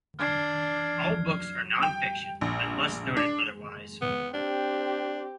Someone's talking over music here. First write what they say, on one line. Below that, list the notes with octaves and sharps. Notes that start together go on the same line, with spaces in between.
All books are nonfiction, unless noted otherwise.
D4 F6 G#6 C7
G5
A#1
D4
B3
C4 D4 G4